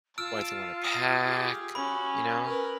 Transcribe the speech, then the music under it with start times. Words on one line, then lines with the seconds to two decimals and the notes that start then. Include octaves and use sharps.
What if they wanna pack, you know?
0.18 F4 A5 E6 F6 D7
0.84 D#6
1.24 G4 G#4
1.75 C#4 F#4 B5
2.46 A#4 B4